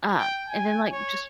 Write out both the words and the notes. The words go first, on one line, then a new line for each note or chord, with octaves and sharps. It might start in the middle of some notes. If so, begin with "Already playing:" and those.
Uh, and then, like, just
G5
G#5
C#5